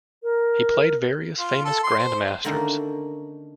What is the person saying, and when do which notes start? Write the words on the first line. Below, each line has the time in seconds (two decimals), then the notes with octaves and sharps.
He played various famous grandmasters.
0.23 A#4
1.39 F4
1.65 A4
1.84 C6
1.99 C5
2.44 D3 D#3 A3 A#3 C#4 D#4